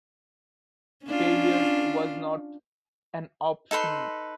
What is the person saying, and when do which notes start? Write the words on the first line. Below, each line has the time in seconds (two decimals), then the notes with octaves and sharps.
Failure was not an option.
1.06 C#4 D4 F4
3.71 D#4 A4 B4 C6